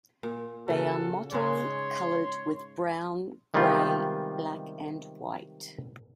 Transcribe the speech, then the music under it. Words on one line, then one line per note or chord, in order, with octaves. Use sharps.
They are mottle-colored with brown, gray, black, and white.
A#2
A#2 C#3 F#4 A4
G#2 C#3 G#3 C#5 C6
C3 D#3 G3 G#3 B3 F4